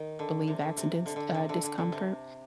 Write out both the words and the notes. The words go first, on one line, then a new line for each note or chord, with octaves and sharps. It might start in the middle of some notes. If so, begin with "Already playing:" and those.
believe that's a dense uh, discomfort,
Already playing: D#3
D3
C3
D3
C3
D3
D3
C3
D3
D3
D3
C3